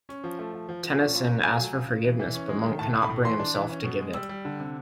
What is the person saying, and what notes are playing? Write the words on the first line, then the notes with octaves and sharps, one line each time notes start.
Tennyson asks for forgiveness, but Monk cannot bring himself to give it.
C#4
F3
A3
F3
F3
F3
C#4
A#2
A#2
A3 G#5
F#3
C#3
C#3
E3
E3
C#4
G#3
D#3
A2 A5
A2
B5
A2
E3 C6
D4
E3
C#4
B2
G#3
G3 E6
G3
D3
C3